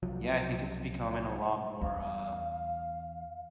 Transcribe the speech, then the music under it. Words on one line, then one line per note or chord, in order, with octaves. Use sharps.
Yeah, I think it's becoming a lot more, uh,
C2 F3 F#3
E2 F5